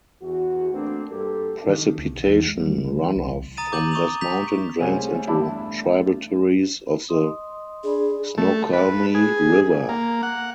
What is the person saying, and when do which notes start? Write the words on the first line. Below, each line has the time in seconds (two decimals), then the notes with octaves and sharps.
Precipitation runoff from this mountain drains into tributaries of the Snoqualmie River.
0.21 E2 F#4
0.73 A3 A#3 C4 D4
1.10 G2 A#3 G4 A4
1.69 D#3
1.98 D2
2.12 B1
2.29 E2
2.47 G#3
2.60 G3
2.84 D2
3.03 E3
3.16 C2
3.34 C2
3.57 A#5 D#6 A6 D#7
3.72 D6 G6 F#7
3.91 C#6 D#6 F7
4.21 G6 B6 F7
4.80 C2 G#3 A3 C#5 G#5
5.27 E2 G2 D4 E4
7.09 D#5 C6 D#6
7.84 D4 G#4 D5 B5
8.38 A3
8.73 B4
9.15 G#4
9.89 A#3
10.23 F#5